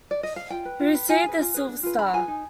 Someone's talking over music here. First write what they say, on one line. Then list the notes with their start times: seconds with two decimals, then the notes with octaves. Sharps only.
He received the Silver Star.
0.11 D5
0.23 D#5
0.36 F5
0.50 F4 G5
0.65 B4
0.80 F4
0.94 B4
1.09 F4 G#5
1.24 G#4 B4
1.39 F4
1.54 G#4 B4
1.69 D4
1.83 F4 G#4 B4
1.98 D4 B5
2.13 F4 G#4 B4 G#5
2.28 D#4